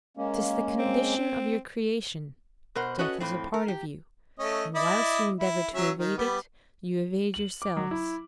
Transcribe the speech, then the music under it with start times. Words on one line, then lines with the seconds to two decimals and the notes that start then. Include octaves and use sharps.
'Tis the condition of your creation; death is a part of you, and whilst you endeavour to evade it, you evade yourselves.
0.17 G#3 A#3 C#4
0.79 C4
2.75 B2 A#4 C5 F#5
2.99 C#4 F#4 A4 B4 C#5 D#5
3.20 F2 A2 C4
3.54 A#4
3.68 G4
4.39 A3 C#4 D#5
4.75 E4 D5 D#5
5.40 E4
5.74 F#3 C#4 E5
5.98 D#3
6.17 G3 B3
7.34 F#7
7.62 D6
7.77 F#3
7.91 E4